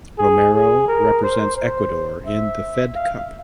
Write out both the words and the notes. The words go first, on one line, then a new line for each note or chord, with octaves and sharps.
Romero represents Ecuador in the Fed Cup.
G#4
G#4
A#4
C5
C5
E5
F5